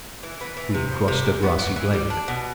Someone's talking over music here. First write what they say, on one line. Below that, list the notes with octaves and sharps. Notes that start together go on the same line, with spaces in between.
We crossed a grassy glade.
E3
B3
E3
C3
F3
C3
E3
B3
E3
E3
G3
D4
B2